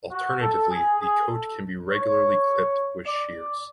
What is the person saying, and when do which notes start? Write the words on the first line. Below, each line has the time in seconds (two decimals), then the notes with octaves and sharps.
Alternatively, the coat can be regularly clipped with shears.
0.11 F#4
0.40 A4
0.71 G#4
1.00 G#4
1.29 A4
1.89 C#5
3.06 D5